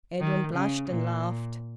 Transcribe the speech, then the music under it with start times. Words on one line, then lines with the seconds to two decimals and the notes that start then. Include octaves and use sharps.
Edwin blushed and laughed.
0.20 D#3
0.53 C#3
0.89 A#2